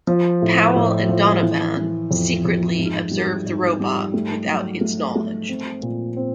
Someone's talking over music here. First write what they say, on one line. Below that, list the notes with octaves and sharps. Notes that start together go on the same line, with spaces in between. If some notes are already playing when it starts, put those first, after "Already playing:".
Powell and Donovan secretly observe the robot without its knowledge.
F3
A2
A2
F3
E3
E3
F2
F2
G#2
G3
G#2
G3
A3
F#3
A3
A3
C4
A#2
C4